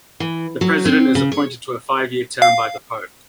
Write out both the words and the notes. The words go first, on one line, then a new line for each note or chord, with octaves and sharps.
The President is appointed to a five-year term by the Pope.
E3
F#3
C4
C#3
C#5
F5